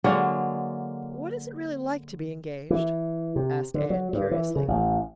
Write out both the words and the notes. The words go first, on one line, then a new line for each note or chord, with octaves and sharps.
"What is it really like to be engaged?" asked Anne curiously.
D3 F#3 G#3 A#3
E3
C3
D3
F#3
G2
E3
C#3
A1